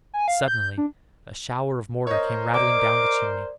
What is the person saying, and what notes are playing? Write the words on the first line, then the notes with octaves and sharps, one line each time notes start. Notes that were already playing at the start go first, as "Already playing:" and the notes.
Suddenly a shower of mortar came rattling down the chimney.
G#5
F5
G6
D4
A#4 C5 C#5 D#5
D5 D6